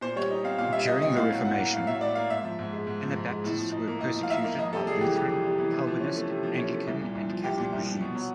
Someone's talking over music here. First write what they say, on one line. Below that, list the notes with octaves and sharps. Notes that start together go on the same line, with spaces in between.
During the Reformation, Anabaptists were persecuted by Lutheran, Calvinist, Anglican and Catholic regimes.
A#2 C5
G3 C#5
D#4
C4 F5
A#2 F5
G3 E5
D#4 D#5
C4 D#5
A2 F5
F#3
A2 F#5
A#3
A2 F5
F#3 E5
A2 D5
A#3 F5
G#2 E5
F3
G#2
G#3
G#2
F3
G#2
G#3
A2
F3
D#4
A#3
A2 D#5
F3
F5
D#4 E5
A#3
F2 D#5
C3 A4
G3 G#4
E3 G4
F2 G4
C3
G3
E3
C3
F3
C#4
A3
C3
F3
C#4
A3
C2
A#2
C2
F3
C2 G4
A#2
C2
F3
B2
F#3